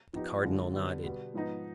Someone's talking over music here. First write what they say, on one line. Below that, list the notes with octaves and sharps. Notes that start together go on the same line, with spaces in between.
The Cardinal nodded.
F3 B3 D#4 G4
D3 G#3 D4 F4 G#4
D3 G3 B3
B2 G3 B3
G#2 F3 B3 D#4